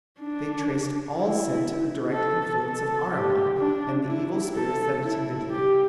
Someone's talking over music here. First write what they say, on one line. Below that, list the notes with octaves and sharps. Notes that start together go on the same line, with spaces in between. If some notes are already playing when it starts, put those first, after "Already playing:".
They traced all sin to the direct influence of Ahriman and the evil spirits that attended him.
D4
E4
A4
A4
G4
D4
E4
A4
E4
G4